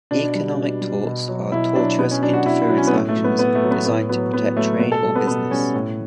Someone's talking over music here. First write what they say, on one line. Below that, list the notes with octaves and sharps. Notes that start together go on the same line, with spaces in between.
Economic torts are tortious interference actions designed to protect trade or business.
B2 D4
G3
B2
G3
B2
F#3
B2 E4
F#3 D4
B2 B3
C#4
F#3 D4
F#4
B2 E4
E4
F#3
C#4
B3
A2 A3
A3
F#3
B3
A2 B3
A3
F#3
B3
A2 B3
F#3 B3
A2 B3
F#3 A3
B2 B3
A4
G3
B3
B2 B3
G3 C#4
A2